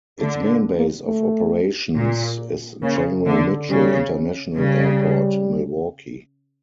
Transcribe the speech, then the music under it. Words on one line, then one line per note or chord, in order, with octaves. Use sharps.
Its main base of operations is General Mitchell International Airport, Milwaukee.
D3 A3
A#3
A#3
A3
A#2
C#3 A#3
D3 A3
C#3 G3
C#3 G3